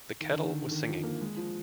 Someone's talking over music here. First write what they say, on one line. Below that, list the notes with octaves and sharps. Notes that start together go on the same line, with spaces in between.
The kettle was singing.
D#3
D3
D#3
D#3
F3
A#3
G#3
F3